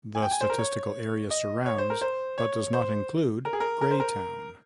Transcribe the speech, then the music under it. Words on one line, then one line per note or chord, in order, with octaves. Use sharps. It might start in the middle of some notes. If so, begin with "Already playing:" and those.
The statistical area surrounds but does not include Greytown.
G#5
G5
G#5
C5
A#4
C#5
D#5
C#5
C5
A#4
C5
C#5
C5
A#4
G#4
A#4
A#4
C5
A#4